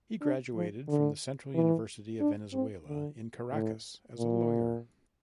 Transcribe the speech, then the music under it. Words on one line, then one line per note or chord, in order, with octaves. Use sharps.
He graduated from the Central University of Venezuela in Caracas as a lawyer.
D4
F3
D3
E3
D4
C4
D3
A2
A#2